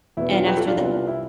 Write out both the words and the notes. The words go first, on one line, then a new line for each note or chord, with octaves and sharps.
and after
E2 B2 B3 E4
D4 F4
G4 B4
F4 A4
D4 F4
C2 C3 G3 B3
E4